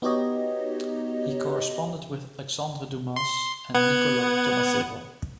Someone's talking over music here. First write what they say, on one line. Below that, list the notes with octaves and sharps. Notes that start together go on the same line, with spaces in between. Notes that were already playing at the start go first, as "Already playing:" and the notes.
He corresponded with Alexandre Dumas and Niccolo Tommaseo.
B3 D#4 F#4 G4 C#5 D#5
C6
B3 F#5 G#6